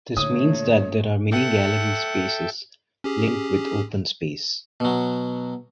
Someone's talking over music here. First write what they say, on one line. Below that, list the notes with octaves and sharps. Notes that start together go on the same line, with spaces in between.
This means that there are many gallery spaces, linked with open space.
A#2 D3 A3 C#5 D#6
A4 E5 F#5 G5
C#4 G4 G#4
B2 F#3